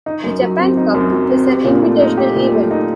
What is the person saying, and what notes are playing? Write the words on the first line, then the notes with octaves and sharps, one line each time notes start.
The Japan Cup is an invitational event.
D#4
F#2
F#3
C4
D#4
F#2
F#3
C4
G4
A#2
A3
D#4
G4
A#2
A3
D#4